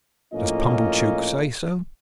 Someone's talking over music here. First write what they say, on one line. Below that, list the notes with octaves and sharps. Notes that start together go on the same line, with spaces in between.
"Does Pumblechook say so?"
A#1 A2 A#3 C#4 F4 D#5